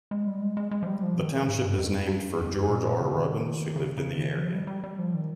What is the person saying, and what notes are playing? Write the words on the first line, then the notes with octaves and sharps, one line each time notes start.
The township is named for George R. Robbins, who lived in the area.
G#3
G3
G#3
G#3
G#3
F3
G3
F3
D#3
C3
G#2
G2
F2
F2
G2
A#2
A#2
C#3
D#3
C#3
C#3
D#3
F3
G3
G3
G3
F3
D#3